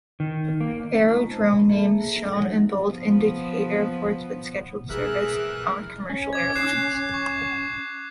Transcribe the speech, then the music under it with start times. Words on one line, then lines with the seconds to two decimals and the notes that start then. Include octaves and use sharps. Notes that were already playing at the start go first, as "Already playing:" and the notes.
Aerodrome names shown in bold indicate airports with scheduled service on commercial airlines.
0.20 D#3
0.61 A#3
1.08 G#3 D#4 F4 D#5 A#5 C#6
1.27 C5 D#5 A5
1.56 B5
1.69 A#3 G#4 A4 E5 A5
2.30 F#3 G3 D#4 F#4 C#5 F#5
2.78 F3 B3
4.90 B2 E3 G3 G#4 A#4 E5 F6 F#6
6.10 C#4
6.33 D6 G#6
6.55 F#6 C7 E7
7.14 C#6